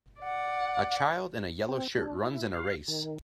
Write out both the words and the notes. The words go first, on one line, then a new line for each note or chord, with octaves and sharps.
A child in a yellow shirt runs in a race.
D5 F#5
C4
D4
E4
F5
D#3